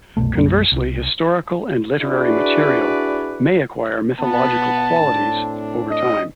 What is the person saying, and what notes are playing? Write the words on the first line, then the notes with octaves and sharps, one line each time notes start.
Conversely, historical and literary material may acquire mythological qualities over time.
F#1 C2 B2 A3
B1 F#2 G3 A#3
C2
D4 E4 F#4 G#4 B4 D5
B2 B3 A5
A2 C4 D4
D#5